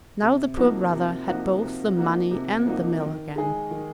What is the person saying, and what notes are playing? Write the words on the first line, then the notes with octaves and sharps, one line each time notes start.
Now the poor brother had both the money and the mill again.
C3
F3 A#3 D#4 F#4
C3
F3 A#3 D#4 F#4
C3
F3 A#3 D#4 F#4
C3
F3 A#3 D#4 F#4
D#3
G#3 D#4 G#4
D#3